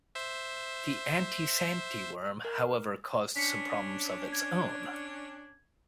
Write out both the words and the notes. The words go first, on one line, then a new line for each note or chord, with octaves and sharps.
The anti-Santy worm, however, caused some problems of its own.
C5 E5
A#4
C#4 D4 B6 C#7
G#6